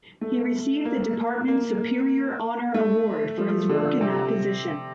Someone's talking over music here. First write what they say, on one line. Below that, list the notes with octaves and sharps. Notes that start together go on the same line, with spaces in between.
He received the Department's Superior Honor Award for his work in that position.
A3
A#3
A#3
A3
F3
D3
C3